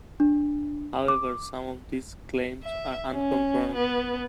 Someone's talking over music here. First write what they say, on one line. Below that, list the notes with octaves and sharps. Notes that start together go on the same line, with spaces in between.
However, some of these claims are unconfirmed.
D4
D6
E5
C#4
B3